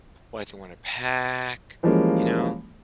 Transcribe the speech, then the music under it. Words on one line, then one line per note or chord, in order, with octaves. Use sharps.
What if they wanna pack, you know?
E3 F3 G3 G#3 A#3 C#4